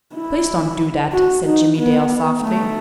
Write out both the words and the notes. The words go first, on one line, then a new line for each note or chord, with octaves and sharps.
"Please don't do that," said Jimmie Dale softly.
E4
F#4
D#4
B3
A3